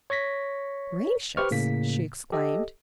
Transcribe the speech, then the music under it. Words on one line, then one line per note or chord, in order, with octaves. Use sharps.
"Gracious!" she exclaimed.
C#5 C#6 A#6 B6
G4 B4 C5 C#6 F6
A2 C#3 A#3 B6
G4 A4 D#5